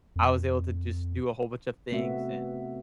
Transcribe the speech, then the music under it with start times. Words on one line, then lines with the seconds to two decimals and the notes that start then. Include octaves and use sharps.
I was able to just do a whole bunch of things, and
0.16 F2
1.92 C3 A3 B3 C4 F#4 E5